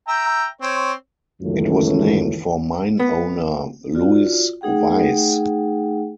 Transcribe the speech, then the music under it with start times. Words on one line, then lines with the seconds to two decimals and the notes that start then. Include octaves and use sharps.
It was named for mine owner Louis Weiss.
0.08 E5 G5 A#5
0.61 C4 C#5
1.42 C#2 F#2 D#3 E3 F#3 A3
3.00 B3
3.95 F4 F#4 D5
4.61 A3 D#4 G#4 F#5 G5